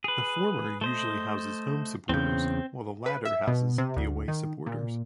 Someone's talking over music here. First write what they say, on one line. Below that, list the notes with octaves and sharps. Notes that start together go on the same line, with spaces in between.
The former usually houses home supporters while the latter houses the away supporters.
G#4 B4
A3 C5 D#5
E2 C#3 C4 G6
B4
E5
B2
C3
D2
D#3
A#2